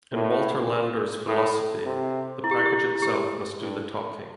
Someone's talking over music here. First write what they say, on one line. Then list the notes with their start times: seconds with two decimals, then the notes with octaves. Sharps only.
In Walter Landor's philosophy, The package itself must do the talking.
0.12 A2
1.27 A2 A4
1.86 C3
2.44 E4
2.51 G4
2.59 E4
2.66 G4
2.73 E4
2.95 E4
3.02 A2 G4
3.60 G2